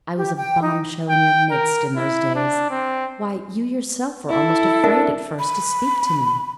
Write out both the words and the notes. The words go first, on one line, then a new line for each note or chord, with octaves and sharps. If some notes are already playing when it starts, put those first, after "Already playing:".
I was a bomb-shell in your midst in those days; why, you yourself were almost afraid at first to speak to me.'
G4
G5
D#4
G5
A#4
E4
D4
C4
E4 A4
D4 A#4 E5
B5